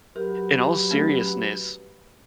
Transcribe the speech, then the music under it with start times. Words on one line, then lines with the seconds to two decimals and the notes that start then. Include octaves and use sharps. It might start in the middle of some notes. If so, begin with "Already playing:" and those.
in all seriousness,
0.16 F#3 G4 A#4 B4
0.91 A3 C#4